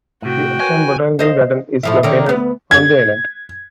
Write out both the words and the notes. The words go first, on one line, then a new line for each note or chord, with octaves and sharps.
The Aswan Botanical Garden is located on the island.
A2 C3 F#4 G5
A#4 B4 C#5 G#5
C5 D#5 F5
A2 F3 E4
D3 D#3 C#4
D2 B3
G#6